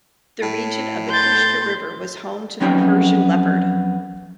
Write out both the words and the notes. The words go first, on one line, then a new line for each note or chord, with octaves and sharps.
The region of the Kushka River was home to the Persian leopard.
A2
C6 G6 A6
F2 F#3 B3 C#4 D#4 G5